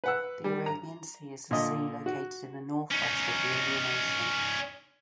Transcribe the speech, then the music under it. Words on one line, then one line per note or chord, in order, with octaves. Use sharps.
The Arabian Sea is a sea located in the northwest of the Indian Ocean.
B4 F#5 E6
G3
A#5
A#2 D3 D#5
F#4
C#4 D#4